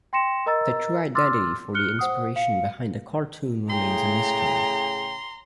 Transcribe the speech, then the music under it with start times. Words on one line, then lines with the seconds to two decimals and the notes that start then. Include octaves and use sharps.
The true identity for the inspiration behind the cartoon remains a mystery.
0.13 G5 C6 A#6 C#7 E7
0.46 A#4 D#5 A#5 E6 A6
1.15 C6 D6 E6 F6 A6
1.74 F6 F#6 C#7 G7
1.99 C5 F#5 D#6
2.36 F5 C#7
3.70 A2 C#3 G#4 G5 A#5 C6